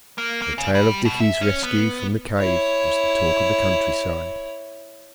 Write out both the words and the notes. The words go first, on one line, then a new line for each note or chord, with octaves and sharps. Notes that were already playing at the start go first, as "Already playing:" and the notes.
The tale of Dickie's rescue from the cave was the talk of the countryside.
A#3
A#3
C#3
G3
B2
E5
C#4
B3
E4 C#5